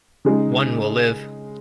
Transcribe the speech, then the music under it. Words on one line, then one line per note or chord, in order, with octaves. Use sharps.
One will live.
C#3 G#3 D#4